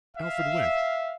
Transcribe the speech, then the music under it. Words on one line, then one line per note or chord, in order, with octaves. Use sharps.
Alfred went.
E5 F5